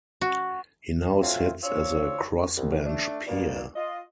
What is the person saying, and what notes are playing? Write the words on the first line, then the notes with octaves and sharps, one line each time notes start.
He now sits as a crossbench peer.
F#4
F#3 A3 C4 F4
C4 D4 F4 C#5 E6
C2
A3 D4
G2 B2 A#3 D5
F4 D#5